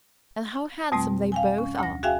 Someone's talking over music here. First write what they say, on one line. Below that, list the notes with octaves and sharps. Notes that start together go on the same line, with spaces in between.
"And how handsome they both are!"
F2 B2 G3 A3 C4
F5 G5 G#5
C#4
D2 A#6
F#4 G#4 E5 F5 G5 G#5